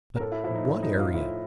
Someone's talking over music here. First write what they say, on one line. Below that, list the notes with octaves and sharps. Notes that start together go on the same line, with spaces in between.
But what area?
A#4
A2 A4
E4
F3 E4
D#4
A2
D#4
F3
F4
A2 E4